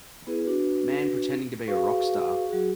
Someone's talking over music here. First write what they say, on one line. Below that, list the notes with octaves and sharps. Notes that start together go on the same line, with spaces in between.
Man pretending to be a rock star.
B3 E4 G#4 B4
D4 F#4 B4
F#4 G#4 B4 F5 C#6
F#3 F#4 G#4